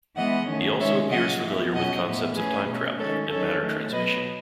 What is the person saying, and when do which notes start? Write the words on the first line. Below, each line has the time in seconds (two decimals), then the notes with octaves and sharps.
He also appears familiar with concepts of time travel and matter transmission.
0.17 E3 G#3 B3 D#5 F#5
0.48 D#3 A3 C#4
0.80 D#3 G#3 C#4 C#5 E5
1.11 C#3 F#3 C#4 D#5 F#5
1.43 E3 B3
1.73 B2 F#3 C#4 D#5 F#5
2.05 A2 E3 B3
2.36 E3 A3 C#4 G#4 B4
2.67 B2 A3 C#4
2.99 D#3 G#3 C#4 A4 C#5
3.30 D#3 F#3 C#4 A4 C#5
3.61 D#3 A3 C#4
3.92 B2 F#3 B3 B4 D#5